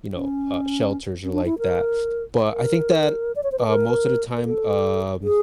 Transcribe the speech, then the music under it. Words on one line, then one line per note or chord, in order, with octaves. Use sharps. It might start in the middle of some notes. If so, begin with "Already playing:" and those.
you know, uh, shelters or like that, but I think that, uh, most of the time, um,
C#4
C#4
D4
E4
A#4
A#4
D5
C#5
C5
B4
A#4
A#4
A4
G#4